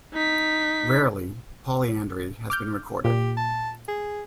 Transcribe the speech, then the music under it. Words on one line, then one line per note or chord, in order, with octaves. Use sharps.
Rarely, polyandry has been recorded.
D#4 B6
D6 F6 G6
A#2 G4
A5
G#4